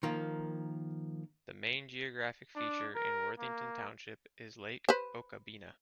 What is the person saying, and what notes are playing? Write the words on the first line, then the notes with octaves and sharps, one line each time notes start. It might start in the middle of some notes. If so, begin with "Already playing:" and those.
The main geographic feature in Worthington Township is Lake Okabena.
D#3 F3 A#3
D4
A#4
A#3
B4 C5